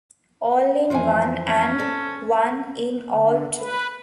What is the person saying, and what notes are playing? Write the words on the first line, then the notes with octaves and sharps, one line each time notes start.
All in one and one in all too.
F2 E3 F4 C5 G#5
C#4
A4 C5 D5
D3
B4